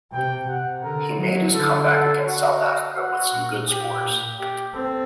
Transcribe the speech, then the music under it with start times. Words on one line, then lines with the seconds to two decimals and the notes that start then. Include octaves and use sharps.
He made his comeback against South Africa with some good scores.
0.12 C3 G5
0.48 C3 F#5
0.83 D3 A#4
1.18 F#3
1.54 D3 A4
1.90 A4
2.25 F#4
2.96 F#4
3.32 A#2
3.68 A#2 G4
4.03 A#2
4.39 G4
4.74 C4 A4